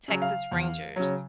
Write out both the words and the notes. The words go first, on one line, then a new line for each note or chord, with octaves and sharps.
Texas Rangers
C#3 F#3
F5
E2
C#3 F#3